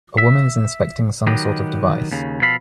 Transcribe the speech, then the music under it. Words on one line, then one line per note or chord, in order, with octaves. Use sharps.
A woman is inspecting some sort of device.
E5
D#3 F#3 B3 G4 D#5
D#2 C#3
B2 F3 A4 F5 B5